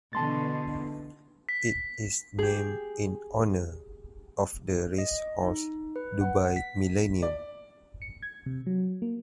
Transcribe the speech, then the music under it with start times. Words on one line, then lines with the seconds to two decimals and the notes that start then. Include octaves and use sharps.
It is named in honour of the racehorse Dubai Millennium.
0.13 B2 D3 E3 A5 C6 A6
1.49 B6
2.39 G4 G#4
4.98 D#5
5.43 D#4
5.96 B4
6.21 F#5
6.56 B6
7.22 D5
8.02 C#7
8.22 G#6
8.46 C3
8.67 F#3
9.02 A#3